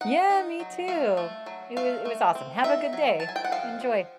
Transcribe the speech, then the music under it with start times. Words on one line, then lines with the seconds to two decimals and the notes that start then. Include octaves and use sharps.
Yeah, me too. It wa it was awesome. Have a good day. Enjoy.
0.01 D#4 F#5
0.30 D#4
0.60 F#3
0.88 A3 F5
1.17 A3
1.46 F#3
1.77 A3 F5
2.05 A3
2.35 C4
2.64 D#4 E5
2.93 F#3
3.20 F#3 A5
3.29 G#5
3.36 G5
3.44 F#5
3.52 F3 F5
3.81 F3